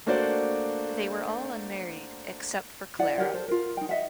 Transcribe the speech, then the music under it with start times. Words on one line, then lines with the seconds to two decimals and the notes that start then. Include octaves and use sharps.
They were all unmarried except for Clara.
0.06 A3 A#3 D4 F#4 C5 D5
2.99 E4 D5 F#5
3.18 G4 A#4 C#5 F#5
3.34 A4 C5
3.48 F4 A#4
3.77 D#4 G5
3.89 D#5 E5 F#5